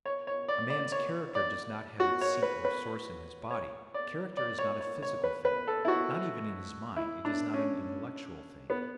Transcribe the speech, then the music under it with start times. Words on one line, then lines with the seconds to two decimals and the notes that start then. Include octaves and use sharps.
A man's character does not have its seat or source in his body; character is not a physical thing: not even in his mind; it is not an intellectual thing.
0.05 C#5
0.27 C#5
0.48 D5
0.70 D5
0.92 C#5
1.35 D5
2.00 F#4
2.21 C#5
2.42 B4
2.65 B4
3.51 C#5
3.94 D5
4.37 D5
4.59 C#5
4.81 C#5
5.02 C#5
5.24 B4
5.45 B4
5.68 A4
5.85 E4
5.88 F#4
6.96 E4
7.25 D4
7.54 C#4
8.70 B3